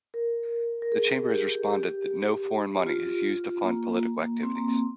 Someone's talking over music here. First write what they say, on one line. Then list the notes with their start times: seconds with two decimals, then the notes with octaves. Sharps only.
The Chamber has responded that No foreign money is used to fund political activities.
0.14 A#4
0.82 A#4
0.92 G#4
1.31 G4
1.70 G4
2.86 F4
3.64 A#3
4.43 C4
4.56 A#3
4.69 C4